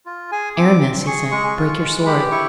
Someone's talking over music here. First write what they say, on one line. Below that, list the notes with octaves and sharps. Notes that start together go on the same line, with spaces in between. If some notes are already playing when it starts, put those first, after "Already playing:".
"Aramis," he said, "break your sword."
F4
G#4 G#5
C4 D6
C4
G#4 C#6
G#3 C#6
F4
G#3
G4 B5
E4 C#6